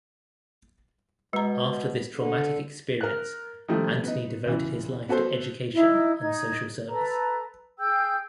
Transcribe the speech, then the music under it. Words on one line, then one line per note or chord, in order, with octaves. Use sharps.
After this traumatic experience Antony devoted his life to education and social service.
B2 G#3 A#5
D3
A#4 F#6
D#3 F3 G3 A3
B3 D#4
C#2 E3
B3 F#4 A4 C5
D#4 E4
D#4 G#6
A4 B4 A#5
G#4 G5 E6 G6